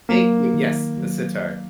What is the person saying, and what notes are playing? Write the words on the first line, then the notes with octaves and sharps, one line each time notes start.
Thank you Yes, the sitar.
F#3 A#3
D#3
F#3